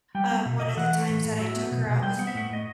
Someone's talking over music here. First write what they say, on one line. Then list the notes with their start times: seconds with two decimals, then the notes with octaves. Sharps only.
um, one of the times that I took her out with me.
0.15 G3 G5
0.31 B3
0.46 B2
0.60 B2 D#5
0.69 E5
0.77 E3 F#5
0.93 A3
1.09 A2
1.24 A2
1.39 F#3 E5
1.56 B3
1.71 B2
1.86 B2
2.02 G3 G5
2.19 B3 F#5
2.27 E5
2.34 A2 F#5
2.50 A2 D#5